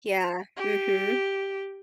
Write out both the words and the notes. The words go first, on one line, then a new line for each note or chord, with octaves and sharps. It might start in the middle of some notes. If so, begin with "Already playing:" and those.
Yeah, mhm.
G4